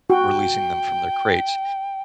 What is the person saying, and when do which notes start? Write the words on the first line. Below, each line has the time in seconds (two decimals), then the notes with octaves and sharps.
releasing them from their crates,
0.10 F#4 G5